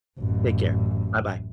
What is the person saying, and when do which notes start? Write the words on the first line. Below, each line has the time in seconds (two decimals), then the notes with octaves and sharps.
Take care. Buh-bye.
0.20 A1 F#2